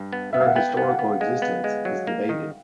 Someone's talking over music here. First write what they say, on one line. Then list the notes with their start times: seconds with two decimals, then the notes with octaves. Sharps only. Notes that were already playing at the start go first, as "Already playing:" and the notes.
Her historical existence is debated.
Already playing: G2
0.13 B3
0.33 B3 E5
0.40 F5
0.48 F#5
0.56 B3 G5
0.77 B3
0.82 F5
0.89 F#5
0.99 B3
1.21 G#3
1.42 B3
1.64 G#3
1.85 F#3
2.07 A#3
2.29 D#3